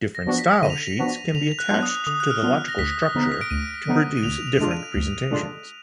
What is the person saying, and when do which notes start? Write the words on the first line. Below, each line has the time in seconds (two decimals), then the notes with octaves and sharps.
Different style sheets can be attached to the logical structure to produce different presentations.
0.15 A#6
0.26 F3 B3 D4 F#4
0.38 B6
0.63 D3 D#7
0.70 F7
0.78 D#7
0.99 F3 B3 D4 F#4
1.34 D3 F7
1.59 F#6
1.70 F#3 B3 D4 F4
1.83 D#6
2.07 D3 D#6
2.20 F#6
2.30 F6
2.42 F#3 B3 D4 F4
2.68 A#6
2.78 D2 B6
3.15 D3 F3 B3 D#4
3.32 B6
3.41 D7
3.50 D2 D#7
3.87 D3 F3 B3 D#4
4.17 D#7
4.23 D2 F7
4.47 F7
4.59 D3 G#3 D4 F4
4.71 D#7
4.95 D2
5.31 D3 G#3 D4 F4